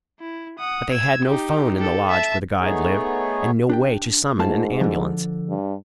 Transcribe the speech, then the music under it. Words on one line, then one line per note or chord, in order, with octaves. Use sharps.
But they had no phone in the lodge where the guide lived and no way to summon an ambulance.
E4
F#5 D#6
E6 G#6
D#4 G4
G4 A4
E5 A5
A3 B3 D#4 G#4 C#5
D4 G4 G5
G#2 A3 F4 A5
D3 F3
G2